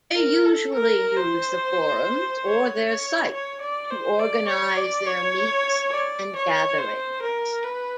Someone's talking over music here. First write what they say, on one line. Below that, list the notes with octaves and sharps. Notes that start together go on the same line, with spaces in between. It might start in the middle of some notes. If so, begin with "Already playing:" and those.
They usually use the forums or their site to organize their meets and gatherings.
A#4
A4
A#4
C5
C#5
C#5
C#5
D5
C5
D5
C#5
D5
C#5
D5
C#5
C5
A#4
B4